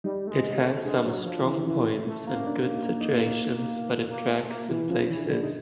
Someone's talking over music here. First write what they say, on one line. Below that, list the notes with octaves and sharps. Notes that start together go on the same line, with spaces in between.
It has some strong points and good situations, but it drags in places.
G3 D#4
A3
G#3
A3
G#3 D4
F#3
F3
E3
E3 C#4
A3
A#3
C#4
D4
D#4
D#4
A#3
A3
A#3
E3
F3 C#4
E3
D4
D3
D#4